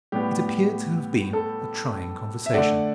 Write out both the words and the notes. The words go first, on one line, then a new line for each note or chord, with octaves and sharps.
It appeared to have been a trying conversation.
A2 G3 B3 G4
A4
E5
D3 A3 D5 F#5